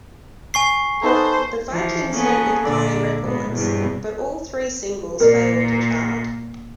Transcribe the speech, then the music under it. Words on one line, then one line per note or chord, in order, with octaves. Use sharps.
The Vikings went with Pye Records, but all three singles failed to chart.
G#5 C#6 C7
B3 D#4 A4 C5
E3 F3
A#3 B3 C#4 G#4 A4
A#2 D3 D5
G#2 B2 B3
E2 G2 B2 F3
A#2 A#4 D5